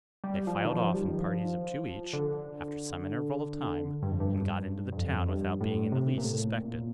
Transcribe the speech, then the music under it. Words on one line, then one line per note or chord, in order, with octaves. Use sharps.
They filed off in parties of two each, after some interval of time, and got into the town without being in the least suspected.
G3
F3
D#3
F3
G3
D#3
F3
D3
G2
F2
G2
G2
F2
G2
A2
C3
A#2
A2
A#2